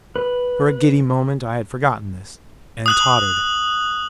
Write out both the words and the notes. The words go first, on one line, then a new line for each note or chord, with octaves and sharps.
For a giddy moment I had forgotten this, and tottered.
B4
D#6 F#6 F#7